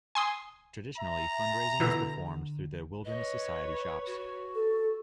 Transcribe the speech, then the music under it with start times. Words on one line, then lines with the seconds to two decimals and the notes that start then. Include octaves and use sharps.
Traditionally fundraising was performed through The Wilderness Society Shops.
0.15 G#5 C6 D#6
0.97 E5 A#5
1.80 B2 D3 E3 E4
3.05 B4 C#5 D#5
4.07 F#4
4.55 A4